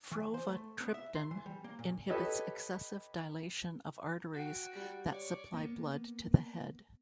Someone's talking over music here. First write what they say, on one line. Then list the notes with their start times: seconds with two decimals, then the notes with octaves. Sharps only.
Frovatriptan inhibits excessive dilation of arteries that supply blood to the head.
0.11 E3
0.34 C5
0.48 A3
0.81 B3
0.94 E5
1.15 C6
1.31 E3
1.46 G3
1.64 A#3
1.79 A#2
2.10 G4 A4 B4 C#5 D#5
4.33 F#4 G5
4.75 G3
5.11 C#5 D5
5.54 A#3 B3